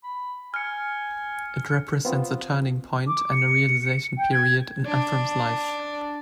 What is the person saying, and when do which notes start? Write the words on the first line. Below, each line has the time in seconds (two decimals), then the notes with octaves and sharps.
It represents a turning point and a realization period in Elvrum's life.
0.03 B5
0.54 G#5 F6 C#7
2.05 B3 C4 F4
3.07 D6
3.32 C#7
4.18 G5
4.33 G#6
4.86 D4